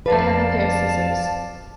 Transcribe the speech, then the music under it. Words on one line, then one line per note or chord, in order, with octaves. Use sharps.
I have a pair of scissors.
F2 B4 D5 F5 A5